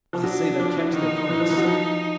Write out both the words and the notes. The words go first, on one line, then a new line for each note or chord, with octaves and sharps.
"I see they kept their promise."
F3
F#3 D4
F3
E3
D#3 D#4
E3
F3
E3
F#3
F3